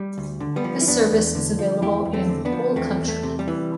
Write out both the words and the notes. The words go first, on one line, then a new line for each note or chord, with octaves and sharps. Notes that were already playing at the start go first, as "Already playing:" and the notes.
This service is available in whole country.
Already playing: G3
D2
D3
G3 B3
F3
E4
E2 B3 D4
E2
D3
F3
E2 E4 G4
E2
A3 C4
D3
B3 D4
F3
E2 A3 C4
E2
A3
C3
G3
E3